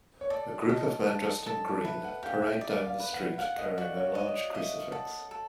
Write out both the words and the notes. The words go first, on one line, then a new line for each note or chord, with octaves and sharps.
A group of men dressed in green parade down the street carrying a large crucifix.
C#5
A4 D5
A4 D#5
A4
A4
B4 E5
F#5
G4 F5
E5
D5
F5
B4
F#5
F5 F#5
D#5
F#4 D5
C#5
D5 D#5
D#5 E5
A4 F#5
A4